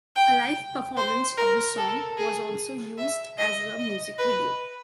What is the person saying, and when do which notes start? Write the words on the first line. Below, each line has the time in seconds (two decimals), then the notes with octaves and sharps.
A live performance of the song was also used as a music video.
0.16 G5
0.97 C5
1.38 A#4
1.77 A4
2.18 G#4
2.98 E5
3.38 D#5
3.79 D#5
4.19 B4